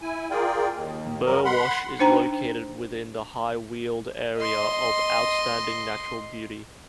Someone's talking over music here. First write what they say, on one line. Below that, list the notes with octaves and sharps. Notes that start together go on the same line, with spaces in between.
Burwash is located within the High Weald Area of Outstanding Natural Beauty.
E4 G#5
F4 G#4 A#4 D5 G5
D#2
F#2 F#3 G3 A#4
F#5 B5 C6
D4 D#4 C5 G5 A#5
D#5 C6